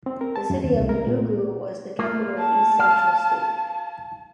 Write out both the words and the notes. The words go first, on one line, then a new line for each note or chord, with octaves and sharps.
The city of Enugu was the capital of East Central State.
C4
A#4
A5
F#2
D#2
C2
A#4
A#2
A#3 F4
A5
F5